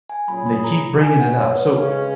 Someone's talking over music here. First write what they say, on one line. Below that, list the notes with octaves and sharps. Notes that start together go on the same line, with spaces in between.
and they keep bringing it up. So,
G#5
A#2 F#3 C#4 F4 G#4 B5
B5
A#5
G#5
F#5
C#5
B4
C#3 G#3 C#4